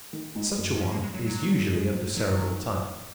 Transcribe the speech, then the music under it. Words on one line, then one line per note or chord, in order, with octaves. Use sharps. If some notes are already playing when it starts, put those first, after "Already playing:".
Such a one is usually of the Cerebral type.
D#3
G#2
F#2
C#4
A#3
G#3
F#3
G#2 F#3
A#2
F#3
G#3
F#3
D#3 F#3
D#3